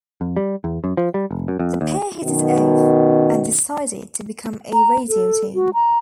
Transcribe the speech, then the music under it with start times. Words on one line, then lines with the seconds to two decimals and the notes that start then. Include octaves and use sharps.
The pair hit it off, and decided to become a radio team.
0.21 F2
0.36 G3
0.64 E2
0.84 F#2
0.97 F3
1.14 G3
1.31 F1
1.48 F#2
1.59 F2
1.81 D#2
2.24 F#2 B2 D#3
4.73 A#5
5.09 A4
5.55 F#4
5.74 A#5